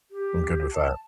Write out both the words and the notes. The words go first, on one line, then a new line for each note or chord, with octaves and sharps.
I'm good with that.
G4
A5